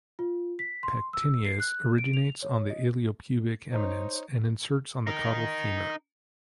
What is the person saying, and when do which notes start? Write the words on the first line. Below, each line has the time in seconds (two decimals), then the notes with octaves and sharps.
Pectineus: originates on the iliopubic eminence and inserts on the caudal femur.
0.19 F4
0.59 B6
0.83 C6
1.13 E6
1.45 C7
1.60 F#6
1.98 D7
2.14 F7
2.42 C#5
2.70 D#5
3.71 D#4 C5 C#5
5.07 D#4 A#4